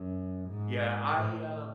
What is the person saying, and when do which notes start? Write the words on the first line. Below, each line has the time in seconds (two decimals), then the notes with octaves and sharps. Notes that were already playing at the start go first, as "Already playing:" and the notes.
Yeah, I, uh
Already playing: F#2
0.50 G#2
1.18 A2